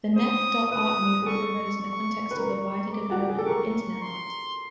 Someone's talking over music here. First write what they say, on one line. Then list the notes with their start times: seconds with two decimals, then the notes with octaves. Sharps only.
The net.art movement arose in the context of the wider development of Internet art.
0.16 C5 D#6
0.71 B4 D#6
1.22 G#4
1.26 A4 C#6
1.81 C#6
2.31 B4
2.37 A#4 C#6
2.93 D6
3.11 F#4
3.20 G4
3.29 G#4
3.38 A4
3.47 A#4 C#6
4.02 C6